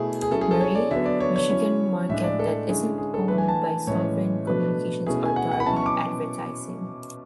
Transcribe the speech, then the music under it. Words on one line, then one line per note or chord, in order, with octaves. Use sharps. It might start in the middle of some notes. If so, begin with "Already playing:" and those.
Marie, Michigan market that isn't owned by Sovereign Communications or Darby Advertising.
Already playing: B2 A3 E4 G#4
G#4
F#3 C#4 E4 A4
G#4
A4
C#5
D5
D3 F#3 B3 E5
D5
C#5
C#5
F#3 C#4 E4
A2 G#3 D4 E5
D5
A4
D3 G#3 C#4 E4 G#4
G#4
A4
E3 A3 D4 B4
G#5
A5
A2 E3 G#3 C#4 C#5
B2 F#3 A3 D4 B4
B2 A3 C#4 E4 G#4
G#5
F#5
F#5
B5
B2 F#3 C#4 E4 A5
C#6
D6